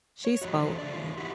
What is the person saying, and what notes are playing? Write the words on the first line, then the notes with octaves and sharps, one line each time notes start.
she spoke and
C#5
A2 F3 G3 D#4 F#4
E3 D4 A4 C5
C#3 A3 D4 D5
D#3 F4
D#4 E4 F#4 G4